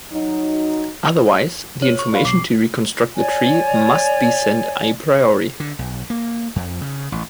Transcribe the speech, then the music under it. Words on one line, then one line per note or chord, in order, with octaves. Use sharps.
Otherwise, the information to reconstruct the tree must be sent a priori.
F#3 D#4
C#5
C#6
D4 F4 B4
B1 D6 C7
C#5 D5 G#5
D3
B1
A#3
F2
C#3
A1